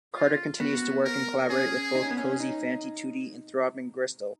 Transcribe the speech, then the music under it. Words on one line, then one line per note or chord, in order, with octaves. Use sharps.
Carter continues to work and collaborate with both Cosey Fanni Tutti and Throbbing Gristle.
F4
B3 F#4
A#4
C#4 G#4
D#4
C#4
B3
C#4
D#4